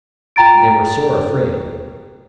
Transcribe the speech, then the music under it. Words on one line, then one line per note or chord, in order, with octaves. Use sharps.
And they were sore afraid.
F4 G5 A#5 A6 D7